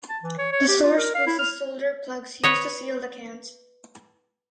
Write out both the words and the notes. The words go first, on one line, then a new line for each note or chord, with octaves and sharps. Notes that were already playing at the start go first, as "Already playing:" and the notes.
The source was the solder plugs used to seal the cans.
A5
E3
C#5
C#5
G4
F4
A#4
F5
E4
F6
B4 C#5 D#5